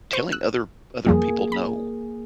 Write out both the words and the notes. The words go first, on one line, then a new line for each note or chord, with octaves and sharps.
telling other other people no.
C5 C#6
E6 F#6
F2 F3 G3 A#3 G#4
B5